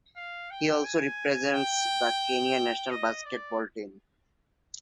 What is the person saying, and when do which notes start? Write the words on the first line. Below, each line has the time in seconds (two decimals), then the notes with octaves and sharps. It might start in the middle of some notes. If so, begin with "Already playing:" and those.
He also represents the Kenya national basketball team.
0.17 F5
0.51 G5
0.85 G#5
1.53 G5
2.90 D#5
3.25 D5